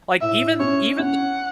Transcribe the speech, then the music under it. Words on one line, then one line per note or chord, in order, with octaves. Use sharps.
like even, even th
A2 E5
C#4 C#5
C#4 F#5